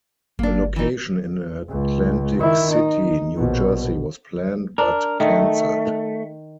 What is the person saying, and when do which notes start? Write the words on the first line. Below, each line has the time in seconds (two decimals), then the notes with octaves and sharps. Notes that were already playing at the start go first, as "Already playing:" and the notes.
A location in Atlantic City, New Jersey was planned but canceled.
0.39 G1 A#3 D4
0.76 E3 D#4
1.69 C#2
2.40 D#3 E4
2.72 D#4
3.36 A#1 B2
4.78 D4 A#4
5.20 D#3 A3